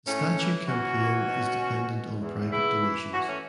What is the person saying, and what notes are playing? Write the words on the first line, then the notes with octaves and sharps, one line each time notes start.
The statue campaign is dependent on private donations.
A2 A3 C#4
E3
E3 C#4 F#4
E3
B2
B2
B2
E2
C#3 B3 E4
E3
E3 C#4 F#4
A3 C#4